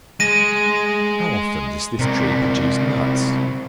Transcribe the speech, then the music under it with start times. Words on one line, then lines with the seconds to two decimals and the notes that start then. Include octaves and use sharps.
How often does this tree produce nuts?
0.20 G#3 A#6 D#7
1.99 C3 A#4